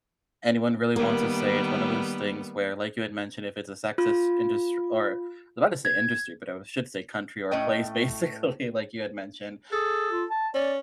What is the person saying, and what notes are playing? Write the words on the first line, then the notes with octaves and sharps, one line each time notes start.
anyone really wants to say, it's one of those things where, like you had mentioned, if it's a sexist indust or I was about to say industry, but I should say country or place, basically like you had mentioned.
D#3 G3 A#3 B3
F4
G#6
A2 A3 C#4 D#5 G5
G#4 A4
F4
A5
C#4 D5